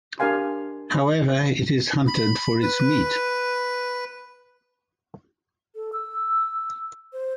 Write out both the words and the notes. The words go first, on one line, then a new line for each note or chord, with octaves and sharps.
However, it is hunted for its meat.
D4 G4 A#4 F5 G#5 C6
B5
B4
A4
E6
C5